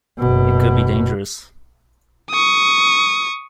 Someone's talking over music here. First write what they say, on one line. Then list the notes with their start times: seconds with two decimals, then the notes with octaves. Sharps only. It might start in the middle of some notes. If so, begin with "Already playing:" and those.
It could be dangerous.
0.18 F#1 B2
2.31 C#6 D#6